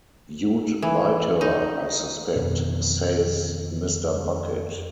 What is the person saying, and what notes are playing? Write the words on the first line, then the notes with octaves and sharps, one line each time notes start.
"You'd bite her, I suspect," says Mr. Bucket.
E3
D#4
F2 B2 D#3 E3